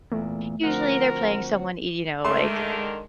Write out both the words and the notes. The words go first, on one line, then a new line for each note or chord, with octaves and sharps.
usually, they're playing someone, y you know, like,
E2 A#2 A3
D2 F3 C4 F#4 A#4 F#5
D3 D#3 G#3 A3 C6